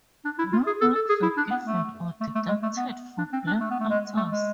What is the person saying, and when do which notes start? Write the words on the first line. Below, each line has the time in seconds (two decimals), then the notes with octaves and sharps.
No marks were given or deducted for blank answers.
0.25 D4
0.38 E4
0.52 F4
0.66 G#4
0.81 A4
0.95 A4
1.09 G#4
1.22 E4
1.37 D4
1.50 B3
1.65 A3
2.20 A3
2.35 A3
2.48 G#3
2.63 A3
2.76 B3
3.18 D4
3.33 C4
3.47 D4
3.60 A3
3.70 B3
3.80 A3
3.89 G#3
4.17 A3
4.31 G#3